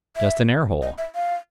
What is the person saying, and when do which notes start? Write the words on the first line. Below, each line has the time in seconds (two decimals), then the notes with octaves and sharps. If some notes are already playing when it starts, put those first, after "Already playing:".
Just an air-hole.
0.16 E5
0.82 D#5
0.98 E5
1.15 F5